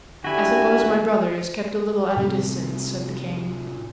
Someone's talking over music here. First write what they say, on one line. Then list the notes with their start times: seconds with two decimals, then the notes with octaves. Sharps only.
"I suppose my brother is kept a little at a distance," said the king.
0.24 D3 E4 F#4 G4 G#5
2.17 A2 C3 G3 C4